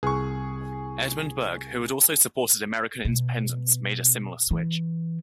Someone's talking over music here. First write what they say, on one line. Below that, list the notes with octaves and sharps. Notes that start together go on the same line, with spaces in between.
Edmund Burke, who had also supported American Independence, made a similar switch.
C2 G#4 C#6
B2
E3